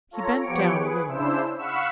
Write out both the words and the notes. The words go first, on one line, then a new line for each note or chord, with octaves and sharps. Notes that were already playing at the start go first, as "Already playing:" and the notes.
He bent down a little.
F4 A4 C#5 A#5
F3 B3 G4 C#5 C#7 D7
G#4 B4
C#3 D4 E4 C5 E6
F5 F#5 B5 C#6 E6